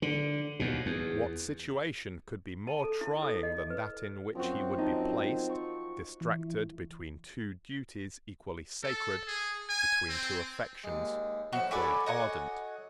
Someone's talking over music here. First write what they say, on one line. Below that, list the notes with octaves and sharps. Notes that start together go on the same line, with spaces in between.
What situation could be more trying than that in which he would be placed, distracted between two duties equally sacred, between two affections equally ardent?
D3
D#2 B2
E2
A5
A4
E4
A4
D#5
B4
F#2 F3 C4 F#4
D#4 A5
C#6
E3
A4
G#4
G#5
C4
D#2 G#3
A2 F3 F#4 B5
F#4 A4 C#5 D5 G#5 B5
D#5 F#5 G#5